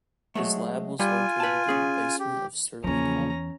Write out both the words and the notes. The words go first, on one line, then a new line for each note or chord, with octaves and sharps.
His lab was located in the basement of Sterling Hall.
F#3 G#3 A3
G3 F4 G#5
B4 A5
C#4 G#4
G4
E2 C#3 E3 F3 A#3 C#4 A#5